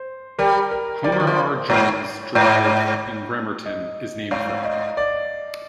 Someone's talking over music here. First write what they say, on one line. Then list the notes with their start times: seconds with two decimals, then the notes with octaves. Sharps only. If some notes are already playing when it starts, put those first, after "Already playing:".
Homer R. Jones Drive in Bremerton is named for him.
Already playing: C5
0.38 G3 A#4
0.71 A#4
1.04 G3 D5
1.12 F3
1.20 D#3
1.27 F3
1.70 G#2
2.35 G#2
3.66 D#5
4.31 G#2 F5
4.64 D#5
4.97 D5